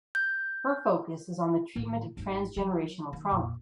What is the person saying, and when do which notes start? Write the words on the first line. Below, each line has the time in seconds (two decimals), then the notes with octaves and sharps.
Her focus is on the treatment of transgenerational trauma.
0.15 G6
1.76 A2 D#3
2.17 G#1 D#4
2.57 F#3
3.13 D#3
3.31 A#1 F2